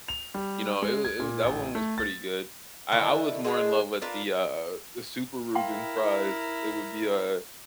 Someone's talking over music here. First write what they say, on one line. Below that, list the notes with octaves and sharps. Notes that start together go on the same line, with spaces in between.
you know, it was it was that one was pretty good. I I was more in love with the, uh uh the super Reuben fries, it would be, uh,
F7
G3
G#3
G#6
A#2
A1
A3
A6
D3 D#3 A3 E4
G#3 A#3 D4 G#4
D4 F4 A#4 B4
E4 A#4 F5 G5 C6